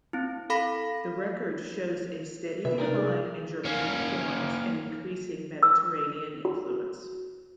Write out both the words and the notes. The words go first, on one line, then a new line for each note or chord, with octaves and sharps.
The record shows a steady decline in Germanic forms and increasing Mediterranean influence.
C4 E4
A4 F5 B5 A#6 B6
C3 B4 E5
D4 D#4 A#4
G#4
A#3 C#4
E6
F#4